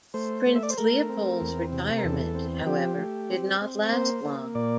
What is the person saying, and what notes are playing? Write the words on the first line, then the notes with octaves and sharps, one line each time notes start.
Prince Leopold's retirement, however, did not last long.
A3 C5
A3
E5
D5
C5
A3 A#4
C4
E2
C3
A#4
E2 A4
C4
F3 G4
A3
C4
C4
A#3 C5
A#3
A#2 D5